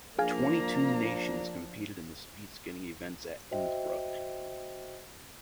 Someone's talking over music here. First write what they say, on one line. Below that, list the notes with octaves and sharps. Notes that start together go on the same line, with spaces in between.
Twenty-two nations competed in the speed skating events at Innsbruck.
F3 A#3 D4 G#4 F5 G#5 A#5
F#4 C5 D#5 E5 G5